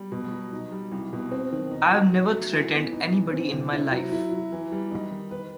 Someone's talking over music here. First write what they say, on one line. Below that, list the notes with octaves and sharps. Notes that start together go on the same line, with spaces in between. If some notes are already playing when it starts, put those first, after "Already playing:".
I've never threatened anybody in my life.
Already playing: G3
B2
F#3
D#4
G3
C2
B2
C4
D#3
D#4
F#3
F#4
A3
E3
B3
D#4
E3
C4
C3
E4
F#3
E4
F#3
E3
G3
D#4
D#3
B4